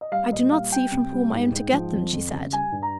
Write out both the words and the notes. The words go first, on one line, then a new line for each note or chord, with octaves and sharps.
"I do not see from whom I am to get them," she said.
D#5
G3 F5
A#2 D#5
G3 F5
G3 G5
C3
G3
G#2
G#2
F3
F2
F2
C#3
G3 G#5
G2
A#5